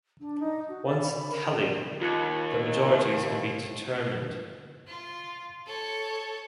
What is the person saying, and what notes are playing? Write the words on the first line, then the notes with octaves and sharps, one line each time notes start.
Once tallied the majorities can be determined.
D4
D#4
F#4
D5
B5
A#4
D#2 F4 F#6 C#7
F4
A4 C#5